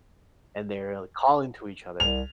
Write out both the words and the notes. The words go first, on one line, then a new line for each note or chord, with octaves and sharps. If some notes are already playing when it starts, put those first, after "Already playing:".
and they're, like, calling to each other.
C2 F7